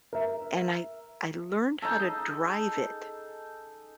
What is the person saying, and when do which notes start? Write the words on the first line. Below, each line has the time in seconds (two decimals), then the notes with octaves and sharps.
And I I learned how to drive it
0.13 A#4 E5
1.82 D#4 G#4 A4